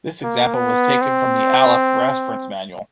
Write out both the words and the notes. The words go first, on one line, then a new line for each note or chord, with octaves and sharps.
This example was taken from the Alef reference manual.
A#3
B3
C4